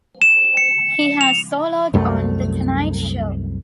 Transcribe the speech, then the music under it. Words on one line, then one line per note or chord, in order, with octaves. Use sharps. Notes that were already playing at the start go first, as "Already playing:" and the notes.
He has soloed on "The Tonight Show".
E7
C#7
F7
C2 F#2 A3